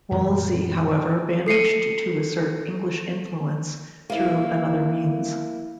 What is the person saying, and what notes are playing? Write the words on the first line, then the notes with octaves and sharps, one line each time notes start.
Wolsey, however, managed to assert English influence through another means.
F#2 A#2 E3 G#3
A4 C7 C#7 D#7
A#3 E4